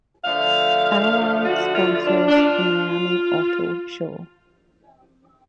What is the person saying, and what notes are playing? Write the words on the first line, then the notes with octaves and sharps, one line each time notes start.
Ally sponsors the Miami Auto Show.
D3 F3 A3 F5
F#4
F4
F4
D4
D4
F4